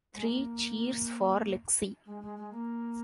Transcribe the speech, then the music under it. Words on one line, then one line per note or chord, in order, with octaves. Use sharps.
Three cheers for Lexi!
G#3
A#3
G#3
G#3
G#3
A#3